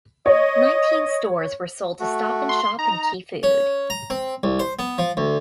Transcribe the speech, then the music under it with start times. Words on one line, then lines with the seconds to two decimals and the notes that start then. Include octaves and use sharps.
Nineteen stores were sold to Stop and Shop and Key Food.
0.26 C#5 D#5
2.00 A3 F#4
2.49 C6
2.79 D#4 A#5
3.43 C#4
3.90 A#5
4.10 C4
4.43 C2
4.59 C5
4.79 B3
4.98 F3
5.17 D2